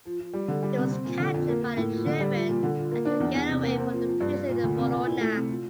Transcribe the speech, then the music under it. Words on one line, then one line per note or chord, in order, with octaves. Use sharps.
He was captured by the German and could get away from the prison in Bologna.
F3
F3
G3
D3
G3
C3
C4
A#2
D3
F2
A#3
A#3
A2
F3
D3
G3
F3
A#2
D3
F4
A#3
D4
E2
E2
C3
A#3
C4
F3
F3
G2
F4
A#2
D2
C3
A#2
E4
A3
C3
F4